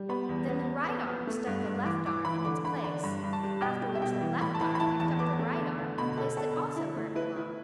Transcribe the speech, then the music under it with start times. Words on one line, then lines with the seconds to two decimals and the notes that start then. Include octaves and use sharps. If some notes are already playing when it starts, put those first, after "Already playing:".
Then the right arm stuck the left arm in its place, after which the left arm picked up the right arm and placed it also where it belonged.
Already playing: G3
0.09 B3 B5
0.29 E2
0.48 B3
0.67 B3
0.88 B3
1.07 B3
1.27 A3
1.47 G2
1.66 G2
1.86 E3 D6
2.05 E3 D6
2.25 E3 B5
2.45 D3 D6
2.64 D3 B5
2.84 D4 B5
3.03 G2 B5
3.23 G2
3.33 A5
3.43 G3
3.62 B2 G5
3.82 G3 G5
3.95 E5
4.02 B2 G5
4.21 E3
4.41 A2 B5
4.55 A5
4.61 E3 B5
4.75 B5
4.80 E4 A5
5.00 E2 A5
5.19 B3 D6
5.39 A3
5.59 D3
5.79 D3
5.98 B2 B5
6.18 B2 A4
6.37 B2 A4
6.57 D3
6.76 E4
6.97 A3
7.15 E4 B4
7.36 E4